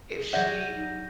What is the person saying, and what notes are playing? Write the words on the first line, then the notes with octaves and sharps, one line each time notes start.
if she
G#4
F#3 G3 D5 E5 F#5 G6 G#6 A#6
D#4